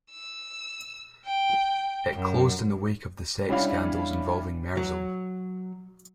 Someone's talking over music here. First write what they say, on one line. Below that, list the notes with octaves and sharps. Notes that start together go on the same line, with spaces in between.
It closed in the wake of the sex scandals involving Merzel.
E6
G5
F#2
G3 C#4 D4 E4 F5
F#3